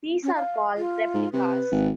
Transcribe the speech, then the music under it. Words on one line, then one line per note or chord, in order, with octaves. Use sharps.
These are called replicas.
C#4
F5
F4
G#2
C3 B4
G#1